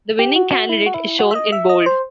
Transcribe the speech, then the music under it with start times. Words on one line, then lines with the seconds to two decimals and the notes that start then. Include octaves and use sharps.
The winning candidate is shown in bold.
0.19 G4
0.36 F#4
0.52 F#4
0.69 E4
0.86 F#4
0.94 E4
1.19 F#4
1.31 E5
1.35 D#5
1.52 E5
1.69 D#5
1.86 C5